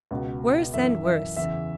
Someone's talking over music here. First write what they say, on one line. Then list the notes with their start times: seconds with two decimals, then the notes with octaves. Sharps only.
"Worse and worse."
0.11 C#2 B2
0.73 F#2 E3 E5
1.05 E5
1.37 E2 C#3 E3 E5